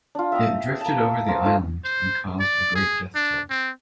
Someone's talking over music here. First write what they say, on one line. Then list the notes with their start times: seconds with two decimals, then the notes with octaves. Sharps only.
It drifted over the island, and caused a "Great death toll".
0.15 D4 F4
0.32 E5 G5 A#5 D#6
0.81 A#3 A5
1.28 A#3 A#4 C5
1.45 A3 F4
1.84 C5
2.40 D5
2.75 G#4
3.15 D4
3.50 C4